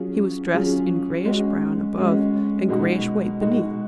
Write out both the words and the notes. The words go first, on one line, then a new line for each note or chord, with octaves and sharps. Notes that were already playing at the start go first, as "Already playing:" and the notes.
He was dressed in grayish-brown above and grayish-white beneath.
Already playing: F#3 C#4 F4 G#4
F#3 C#4 F4 G#4
G#3 C#4 F#4
G#3 C#4 F#4
B2 G#3 D#4 F#4
B2 G#3 D#4 F#4